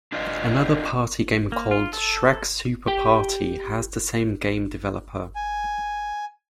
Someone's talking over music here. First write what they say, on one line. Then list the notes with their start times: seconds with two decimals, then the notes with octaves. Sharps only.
Another party game called "Shrek Super Party" has the same game developer.
0.12 D4 F4 B4 D5 D#5 F5
1.52 A#3
1.71 F4
1.93 A4
2.87 G4 G5
5.35 G#5